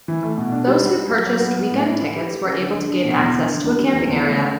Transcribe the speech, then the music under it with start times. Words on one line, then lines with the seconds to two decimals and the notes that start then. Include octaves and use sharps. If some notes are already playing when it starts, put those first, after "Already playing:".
Those who purchased weekend tickets were able to gain access to a camping area.
0.08 E3
0.23 A3
0.37 B2
0.52 D4
0.67 G3
0.83 G3
0.96 G3
1.11 F#3
1.26 F#3
1.41 B3
1.57 B3
1.71 A2
1.86 E4
2.01 E4
2.16 G4
2.30 G4
2.45 C#4
2.60 D3
2.74 D3
2.90 D4
3.04 B2
3.19 E2
3.34 D3
3.50 D3
3.64 E2
3.78 G3
3.93 E2
4.08 E2
4.23 A3
4.38 C#4